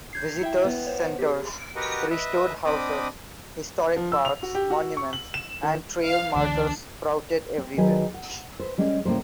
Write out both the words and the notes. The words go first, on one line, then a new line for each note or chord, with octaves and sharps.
Visitors' centers, restored houses, historic parks, monuments, and trail markers sprouted everywhere.
G6 G#6 C7
E4 E5 G5
B3
C5 C#5
G4 G#4
F#4 G4 A#4 B4 D#5 F#5
B4 D#5 E5
C4 D4 D#5 B5 D6 D#6
F3
E6
F7
F#4
G4
F#4
C#6
F#7
E7
D#3
F5
C#2 D3 E3 D4
C4
D#3 F#3 G#4 B4 C#5 G#5
F#5
B4 C5
G3 G#3 C#4 D5
A2 C#3 G3 A#3 C5